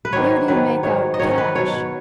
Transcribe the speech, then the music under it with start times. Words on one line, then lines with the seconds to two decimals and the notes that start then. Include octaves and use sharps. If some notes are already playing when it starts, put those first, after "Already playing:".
"Where do you make out cash?"
0.05 B4
0.13 G#2 D#3 F#3 C#5
0.48 G#2 D#3 F#3 B4
0.83 G#2 D#3 F#3 C#5
1.14 D#5
1.19 G#2 D#3 F#3 C#5
1.38 B4
1.55 B2 F#3 C#5